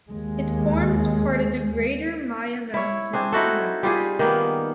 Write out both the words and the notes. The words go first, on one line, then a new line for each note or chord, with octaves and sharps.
It forms part of the greater Maya Mountains massif.
D#2 G#3
E4 C#5
C4 D4 G#4
D#4 E4 F#4 A4
G3 F4 G4 G#4
D#3 A#3 B3